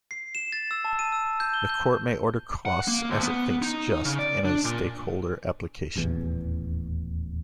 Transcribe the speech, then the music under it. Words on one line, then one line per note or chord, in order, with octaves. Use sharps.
The court may order costs as it thinks just in a stakeholder application.
C7
E7
A6
E6
A5
D#7
E6
G6
G7
G6
F#5
A#3
D2
B3
D#4
C#3
D5
D4
A#2
D#1 A1 E2